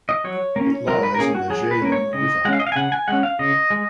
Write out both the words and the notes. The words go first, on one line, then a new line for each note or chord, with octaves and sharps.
It lies on the Jhelum River.
D#5
F#3 C#5
A#3 C#4
F#3 A#4
B4
A#4
A#3 C#4 G#4
F#4
F#3 G#4
B4
A#3 C#4
C#5
C#3 D#5
G#3 C#4 F5 F#5
D#5
F5
G#5
C#3 F#5
G#5
G#3 C#4 F#5
F5
C#3 D#5
G#3